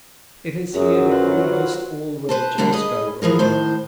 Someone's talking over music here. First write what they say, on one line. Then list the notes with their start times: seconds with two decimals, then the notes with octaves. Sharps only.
It is here that almost all religions go wrong.
0.74 F#2 F#3 G#4
1.12 F4 B4 C5 F#5
2.29 B4 C5 A5
2.58 B2 D3 G3 A#3 D4
2.73 G#4 B4 D#5
3.22 E3 F3 G#4 A#4
3.39 A2 D#3 C5